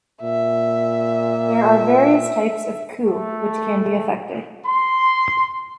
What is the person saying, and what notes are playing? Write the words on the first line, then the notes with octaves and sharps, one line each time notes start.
There are various types of coup which can be effected.
A#2 E5
A3
C6